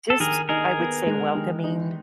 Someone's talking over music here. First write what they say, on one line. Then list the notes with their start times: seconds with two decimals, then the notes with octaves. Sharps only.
just, I would say, welcoming,
0.10 A4
0.20 D#3 G#4 A#4
0.49 D#4 G#4 A#4
0.78 B3
1.07 G#3
1.35 D#3
1.64 D#4